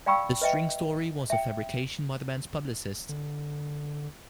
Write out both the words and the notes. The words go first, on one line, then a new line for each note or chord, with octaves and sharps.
The string story was a fabrication by the band's publicist.
D5 F5 G5 B5 C#6 E6
B4 D#5 E5 G5
E5 G5
D3